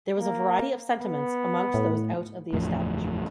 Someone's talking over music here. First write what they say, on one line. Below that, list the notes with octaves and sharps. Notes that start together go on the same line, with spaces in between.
There was a variety of sentiments amongst those out of the establishment.
A#3
B3
A2
F#1 E2 A2 F3